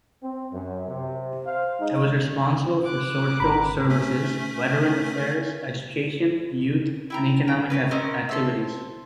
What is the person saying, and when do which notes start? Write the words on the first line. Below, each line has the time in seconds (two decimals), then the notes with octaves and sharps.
It was responsible for social services, veteran affairs, education, youth and economic activities.
0.22 C4
0.52 F#2
0.88 C3
1.47 C5 F5
1.79 G#3 D#4
2.84 D6 F#6
3.40 G#1 G#3 A#5 B5
3.90 A3 C#4 B6
7.10 E4 G5 A#5
7.48 G5
7.70 C#4 A#4 B4
7.91 C4 C#4 A#4 D#5
8.29 A4 C5 E5